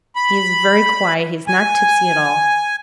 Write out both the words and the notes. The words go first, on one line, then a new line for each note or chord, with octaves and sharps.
He is very quiet--he is not tipsy at all.
B5
G#5